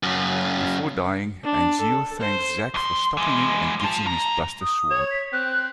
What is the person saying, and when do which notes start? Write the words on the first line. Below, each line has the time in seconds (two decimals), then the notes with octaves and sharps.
Before dying, Angeal thanks Zack for stopping him and gives him his Buster Sword.
0.03 F#2 C#3
1.43 D4
1.80 A4
2.19 C5
2.74 F2 C6
3.17 E3 G#3
3.80 F4 A5
4.07 G#2 A#5
4.61 D#6
4.91 C#5
5.11 B6
5.33 C4 F#6